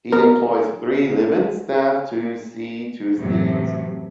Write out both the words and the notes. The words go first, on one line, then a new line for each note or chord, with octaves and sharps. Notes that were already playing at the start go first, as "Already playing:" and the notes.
He employs three live-in staff to see to his needs.
B3 A#4
F#2 A2 C3 E3 F#3